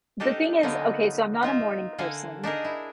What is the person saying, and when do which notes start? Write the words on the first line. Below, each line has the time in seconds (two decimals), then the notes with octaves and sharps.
the thing is okay, so I'm not a morning person,
0.20 D4 D#4 G4 A4 A#4
0.63 D3 F#3 A#3 B3 D4 D#4
1.43 D#4 F4 E5
1.98 D3 A#3 A4 F5 F#5 G#5
2.43 D4 D#4 G#4 A#4
2.64 E4